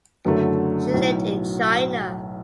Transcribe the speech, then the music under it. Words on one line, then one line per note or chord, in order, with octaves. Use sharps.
She lived in China.
F#1 F#2 D3 F#3 A3
B1 A2 F#3